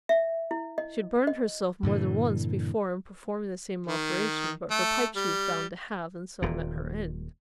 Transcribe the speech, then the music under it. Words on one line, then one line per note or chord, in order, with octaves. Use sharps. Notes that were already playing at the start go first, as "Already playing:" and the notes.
She had burned herself more than once before in performing the same operation; but her pipe she was bound to have, and so met her end.
E5
E4
D#5
D#5
G2 A#2 D3 E3
D#3
A3
G3
D#1 A#2